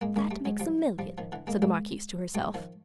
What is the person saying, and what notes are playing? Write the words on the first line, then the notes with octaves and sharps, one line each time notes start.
"That makes a million," said the marquise to herself.
G#3 A#3
G#3 A#3
G3 A3
F#3 G#3
F3 G3
F3 G3
D#3 F3
D3 E3
G#3 A#3
G#3 A#3
G3 A3
D#3 F3